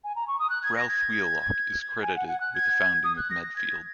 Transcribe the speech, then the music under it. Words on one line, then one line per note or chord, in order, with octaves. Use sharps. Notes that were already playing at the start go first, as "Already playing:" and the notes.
Ralph Wheelock is credited with the founding of Medfield.
G#5
A#5
C#6
D#6
F#6
G#6
A#6
G#6
G#5
F#5
F#5
F#6
G#6
D#6
F#6
A#6
A#6
G#6